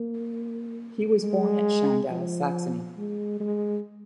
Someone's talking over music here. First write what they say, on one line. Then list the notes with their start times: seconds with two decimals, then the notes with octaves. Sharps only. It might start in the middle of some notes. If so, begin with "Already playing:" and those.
He was born at Schandau, Saxony.
Already playing: A#3
1.23 G#3
2.10 F3
2.97 G#3
3.40 G#3